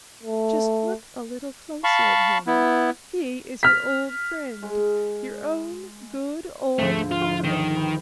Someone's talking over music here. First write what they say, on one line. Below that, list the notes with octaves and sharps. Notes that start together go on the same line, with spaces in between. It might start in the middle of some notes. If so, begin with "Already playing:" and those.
Just look a little closer at him: he is your old friend, your own good old Caro.
A3
F5 A5 B5 C#6
B3 E4
F6 B6
G#3
D2 G#2 F3 A3
F4
D#3
B4 G5